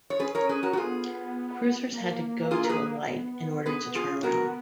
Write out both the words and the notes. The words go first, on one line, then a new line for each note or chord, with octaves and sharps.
Cruisers had to go to a light in order to turn around.
C#5
C#4 G#4 B4
A#4 C#5
G#4 B4
F#4 A#4
F#4
B3 F4 G#4
A#3
F4 G#4
A#4
G#4 B4
B3
B3 G#4 B4
B3
F4 G#4
C#4
B3 F#4 A#4